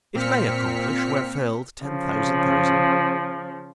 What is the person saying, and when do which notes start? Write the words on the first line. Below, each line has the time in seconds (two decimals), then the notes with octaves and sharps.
It may accomplish where failed ten thousand thousand.
0.15 A#2 C4 F6 B6 C#7
1.83 C#3 F3